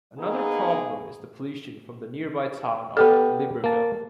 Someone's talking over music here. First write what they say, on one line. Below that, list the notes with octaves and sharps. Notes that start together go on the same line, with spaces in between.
Another problem is the pollution from the nearby town of Libreville.
A#3 B3 D#4 G#4
B3 G4 A4 D5
A#3 A5